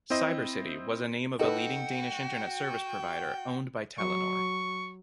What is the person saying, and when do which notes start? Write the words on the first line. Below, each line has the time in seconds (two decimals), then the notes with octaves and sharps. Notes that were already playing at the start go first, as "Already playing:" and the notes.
Cybercity was a name of a leading Danish internet service provider owned by Telenor.
0.10 C4 E4 C5 D#5
1.39 D#4 F#4 A4 B4 G5
3.98 F#3 C#6